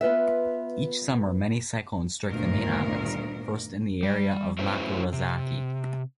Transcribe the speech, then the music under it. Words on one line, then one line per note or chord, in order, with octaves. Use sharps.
Each summer many cyclones strike the main islands first in the area of Makurazaki.
B3 F4 B4 E5
D2 G2 A#2 D#3 B3 A#4
G3
F#3 A3 C#4 E4 B4 C5
C3